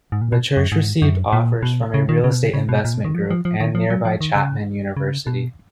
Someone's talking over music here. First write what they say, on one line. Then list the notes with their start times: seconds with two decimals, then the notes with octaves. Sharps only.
The church received offers from a real estate investment group and nearby Chapman University.
0.12 G#2
0.21 A#2
0.32 B2
0.57 F#2
0.72 G#2
1.02 F#2
1.33 A#2
1.63 B2
1.94 C#3
2.09 D#3
2.24 C#3
2.34 B2
2.43 C#3
2.53 C#3
2.69 B2
2.85 A#2
2.94 B2
3.05 D#3
3.15 F3
3.30 F3
3.45 F3
3.61 D#3
3.75 F3
3.90 F#3
4.05 F3
4.21 D#3
4.35 C#3
4.97 C#3
5.27 B2